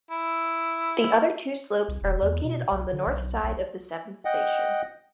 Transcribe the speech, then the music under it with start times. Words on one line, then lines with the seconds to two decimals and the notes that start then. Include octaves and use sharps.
The other two slopes are located on the north side of the Seventh station.
0.11 E4
1.88 C2
2.02 E1
2.22 E2
2.44 B2
2.72 B1
2.93 D3
3.07 B1
3.44 B1
4.25 D#5 F#5 G5